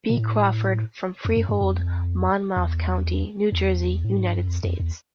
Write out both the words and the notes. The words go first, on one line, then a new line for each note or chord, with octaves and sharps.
B. Crawford from Freehold, Monmouth County, New Jersey, United States.
A#2
A2
F2
F#2
G2
F2
E2
E2
A2
G#2
G2
F#2
F2
F2
E2